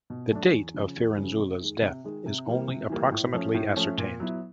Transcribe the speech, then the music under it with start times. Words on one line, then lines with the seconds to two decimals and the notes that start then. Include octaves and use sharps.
The date of Firenzuola's death is only approximately ascertained.
0.10 B2
0.31 F#3 A3 D4
0.53 E2
0.74 C#3 F3
0.96 E2
1.18 C#3 F3
1.39 C3
1.61 D#3 G#3
1.82 C3
2.04 D#3 G#3
2.26 C3
2.46 E3 G3 A#3
2.68 C3
2.90 E3 G3 A#3
3.11 A2
3.33 F3 A3 C#4
3.54 A2
3.77 F3 A3 C#4
3.98 A#2
4.20 F#3 B3 E4